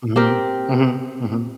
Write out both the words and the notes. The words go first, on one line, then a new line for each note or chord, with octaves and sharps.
Mhm, mhm, mhm.
C4 G4 A#4